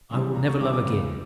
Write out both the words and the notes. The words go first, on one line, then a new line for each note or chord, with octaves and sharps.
I will never love again.
C#3 E3 G3
C#2 A#5
C#6
C#3 E3 G3 D6
D6
C#2